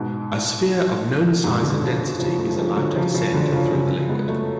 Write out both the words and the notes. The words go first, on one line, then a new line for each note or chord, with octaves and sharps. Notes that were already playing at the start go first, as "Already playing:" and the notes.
A sphere of known size and density is allowed to descend through the liquid.
Already playing: G#2 B2
G#2 B2
B2 D3
C#3 F3
C#3 F3
F#3 A3
F3 G#3
D3 F#3
C#3 F3
C#3 F3
D3 F#3
C#3 F3
C#3 F3
G#3 B3
F#3 A3